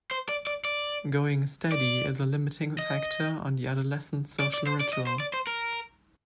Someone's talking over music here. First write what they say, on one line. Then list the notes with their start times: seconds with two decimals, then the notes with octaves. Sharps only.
Going steady is a limiting factor on the adolescent social ritual.
0.11 C5
0.29 D5
0.47 D5
0.65 D5
1.72 D5
2.79 D#5
4.40 D5
4.54 D5
4.67 C5
4.80 D5
4.93 D#5
5.07 C5
5.20 D5
5.33 C5
5.47 A#4